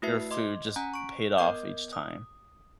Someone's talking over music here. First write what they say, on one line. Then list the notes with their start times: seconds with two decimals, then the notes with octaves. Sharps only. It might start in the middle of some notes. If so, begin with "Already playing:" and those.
your food just paid off each time.
0.02 A3 E4 F#4 B4 E5 C7
0.31 D#5 C6 D6
0.76 C#4 F#5 G#5 A#5 F#6
0.94 C#6 D7
1.38 B3 A#4 D#5 D6 G6
1.93 D#6